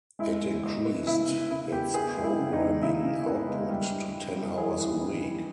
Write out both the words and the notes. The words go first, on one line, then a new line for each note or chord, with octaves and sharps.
It increased its programming output to ten hours a week.
G#3 E4
G#3
G#3
B3
C#3 E4
C#3
C#3 E4
B3 G4
B3 G#4
G#3
E4
C#3
D#4
G#3
C#3 E4
C#3
B3
G#3
G3
G2
G3
G3
E3 G#4
E3
G2
E3